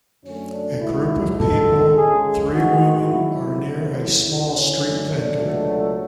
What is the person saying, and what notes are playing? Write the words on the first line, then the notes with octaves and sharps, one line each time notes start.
A group of people, three women are near a small street vendor.
F#2 D3 A3 C#4
D4
C#2 B2 G#3 E4
C#2 B2 G#3 A4
C#2 C#3 G#3 G#4
G#4
A2 G#3 F#4
G#2 F#3 A3 E4
E2 C#3 F#3 A3 E4
D2 C#3 E3 A3
C#4
F#2 D3 A3
D4
C#2 B2 F#3 A3